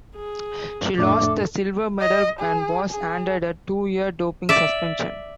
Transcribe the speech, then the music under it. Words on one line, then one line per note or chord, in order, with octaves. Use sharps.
She lost the silver medal and was handed a two-year doping suspension.
G#4
F2 A2 A3 D4 A4 D6
D#5
G#4
G#4
D5 E5